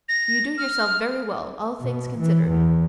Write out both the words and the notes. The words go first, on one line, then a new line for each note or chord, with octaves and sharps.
You do yourself very well, all things considered.
A#6
F6
B2
E3
E2